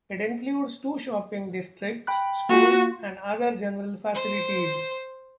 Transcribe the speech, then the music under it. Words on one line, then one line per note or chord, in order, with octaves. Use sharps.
It includes two shopping districts, schools and other general facilities.
G5 B5 F#6
A#3 F4 F#4
C5